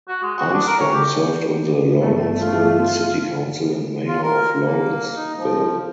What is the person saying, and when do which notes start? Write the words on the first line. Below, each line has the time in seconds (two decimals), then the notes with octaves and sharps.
Armstrong served on the Lawrenceville City Council and mayor of Lawrenceville.
0.08 F#4
0.23 G#3
0.38 F#4
0.53 D4
0.67 A#4
0.79 C#5
0.94 G4
2.00 G1 A3
2.39 F4
4.07 F4
4.23 A#4
4.64 A#3
5.16 D#4
5.38 F3